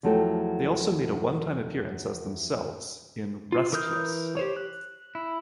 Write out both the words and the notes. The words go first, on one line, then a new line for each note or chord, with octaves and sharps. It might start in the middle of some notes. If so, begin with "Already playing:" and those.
They also made a one-time appearance as themselves in "Restless".
E2 F3 F#3 A3 A4 G5
F4
E3 A#4 D#6 F6 G6
G4 C5 C#5
F#6
E4